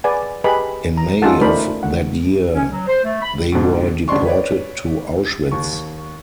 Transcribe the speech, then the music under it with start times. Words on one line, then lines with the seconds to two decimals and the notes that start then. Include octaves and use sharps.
In May of that year they were deported to Auschwitz.
0.04 G#4 B4 D5 F#5 G#5
0.44 G4 G#4 B4 D#5 A5 B5
0.97 A#5
1.22 C#4 D#4 F4 G#4 A4 F#5
1.41 A3 D4 D#4 A#4 C5 B5
1.83 F#5
2.55 C#4
2.71 F#3
2.87 C5
3.04 A3
3.22 B5
3.52 G#2 B2 D3
4.08 G#1 C#3 D4 D5 C6 C#6
4.25 B4 C#5 D5
5.51 D#2 C#6